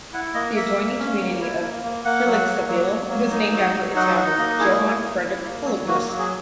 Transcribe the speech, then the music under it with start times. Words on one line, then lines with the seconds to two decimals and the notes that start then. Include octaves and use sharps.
The adjoining community of Hillegassville was named after its founder Johann Frederick Hillegass.
0.13 E4 F#5
0.34 A#3 D#5
0.56 A#3 E5
0.77 A#3
0.98 C#4
1.20 A#3
1.40 E4
1.62 A#3
1.83 A#3
2.05 A#3 F#5
2.26 F#3
2.47 A#3
2.68 F#3
2.90 F#3
3.10 A#3
3.31 D#4
3.53 F#3
3.74 F#3
3.95 D#4 F#5
4.17 D#4 F#5
4.38 A#3 D#5
4.59 E4 G#4
4.80 E4
5.01 A#3
5.23 E4
5.44 A#3
5.65 F#3
5.87 A#3 F#4
6.09 F#3
6.18 G#4